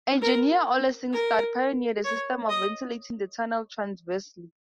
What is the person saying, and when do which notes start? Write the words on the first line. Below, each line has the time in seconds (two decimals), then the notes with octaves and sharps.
Engineer Ole Singstad pioneered a system of ventilating the tunnel transversely.
0.22 A#4
1.13 A#4
2.04 C#5
2.49 D#5